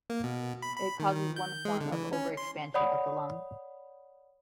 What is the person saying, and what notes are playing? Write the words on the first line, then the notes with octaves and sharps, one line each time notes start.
It causes one form of "overexpansion" of the lung.
A#3
B2
B5
B5
D#3
D#3
G6
G#3
D3
E3
C#4
C6
C#5 D5 F#5 B5 D#6